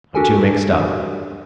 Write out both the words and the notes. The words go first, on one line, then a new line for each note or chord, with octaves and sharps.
I'm too mixed up.
D4 F#4 G4 A4 A#4 G#5